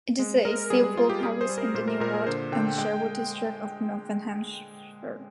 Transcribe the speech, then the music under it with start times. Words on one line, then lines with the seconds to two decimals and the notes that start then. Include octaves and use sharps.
It is a Civil Parish in the Newark and Sherwood district of Nottinghamshire.
0.19 G#3
0.45 G#3 A#4
0.70 G3 G#4
0.84 G#4
0.96 G3 F4
1.10 G4
1.23 G3 G#4
1.41 C5
1.49 G3
1.58 A#4
1.74 A#2 C5
1.88 A#4
2.00 A#2 A#4
2.14 G#4
2.27 D3 C5
2.52 D3 G5
2.78 G#3 G5